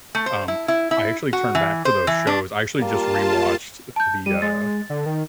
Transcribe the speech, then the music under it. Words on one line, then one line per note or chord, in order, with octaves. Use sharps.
um, I actually turned back to those shows, I actually just rewatched, uh, the, uh
A3
C5
E4
E4
E4
F#4
E3
C5
E3
D4
G3 A#3 F4 A5
A5 G6
G3 D#7
G#3 A6
D3
D#3